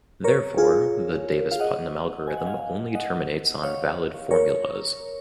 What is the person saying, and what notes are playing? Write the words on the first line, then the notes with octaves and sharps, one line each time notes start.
Therefore, the Davis-Putnam algorithm only terminates on valid formulas.
A#4 C#5
F4 G#4
F5
D#5 F#5
G#5
F#5
F5 G#5
D#5 F#5
C#5 F5
A#4 C#5